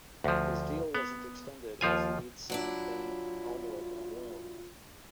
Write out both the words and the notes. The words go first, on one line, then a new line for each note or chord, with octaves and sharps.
His deal wasn't extended as Leeds signed Ben Alnwick on loan.
D2 F3
B3
D#2 F3 F4 G#5
F#3 D4 E4 F4